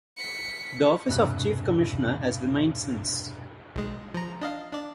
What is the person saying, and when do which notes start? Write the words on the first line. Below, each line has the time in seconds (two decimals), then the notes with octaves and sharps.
The office of Chief Commissioner has remained since.
0.17 B6 C#7
1.08 E1 G2 C3 F#6
3.76 B1 G#3
4.14 F3 A#5
4.41 D4 D#5 F5
4.73 D4 D5